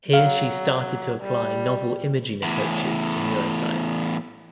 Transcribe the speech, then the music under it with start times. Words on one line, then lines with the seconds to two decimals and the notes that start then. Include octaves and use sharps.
Here she started to apply novel imaging approaches to neuroscience.
0.13 F#3 F5
1.22 G3
2.43 E2 A2